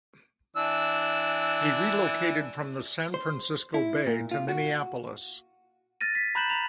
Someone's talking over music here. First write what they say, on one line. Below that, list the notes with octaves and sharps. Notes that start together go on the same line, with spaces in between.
He relocated from the San Francisco Bay to Minneapolis.
E3 D4 E6
C5
E4
A#2
F4
F#4
F6 A6 A#6 D#7
B6
A#5 B5 F#6 G6 E7 F#7
A#5 F7